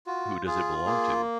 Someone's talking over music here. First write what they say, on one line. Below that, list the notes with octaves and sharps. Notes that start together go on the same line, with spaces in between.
Who does it belong to?
F4 F#4
F4 G#4
A#3 G#4